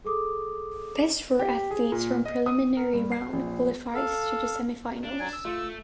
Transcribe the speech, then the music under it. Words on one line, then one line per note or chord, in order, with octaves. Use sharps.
Best four athletes from preliminary round qualifies to the semifinals.
G#4 A4 D6 D#6
G4
G#4
A#2
D#5
D#6
A#4
G2
C7
A#1
A4 F5
D4
F#3 G#5
E6
A3 F4